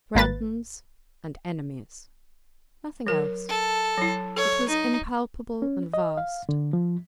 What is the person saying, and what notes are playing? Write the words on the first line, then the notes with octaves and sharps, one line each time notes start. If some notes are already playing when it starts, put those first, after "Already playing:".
"Friends and enemies"--nothing else. It was impalpable and vast.
G#1 A#3 B4 A6
F#3 A#4
A4
F#3 E4
A4 C#5
D#4
C#4
D#5
F5
D3
F3